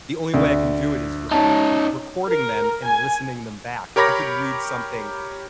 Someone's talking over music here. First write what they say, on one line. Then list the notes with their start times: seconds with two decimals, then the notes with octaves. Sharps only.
the only way I can do it is r r recording them and listening them back. I could read something
0.34 D2
1.32 C#4 D#4 A5
2.28 A#4
2.84 G#5
3.96 G4 A#4 C#5 B5 D6 A#6